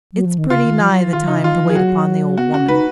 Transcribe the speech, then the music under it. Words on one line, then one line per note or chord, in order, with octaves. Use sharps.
It's pretty nigh the time to wait upon the old woman.
F#3
F3
D#3
C#3 F4
D#3
F3
F#3
F3
D#3 F4
C#3 D#4
D#3 F4
F3
D#3
F3 G#4
F#3 F#4
B3 F#4
C#4 F#4
D#4 B4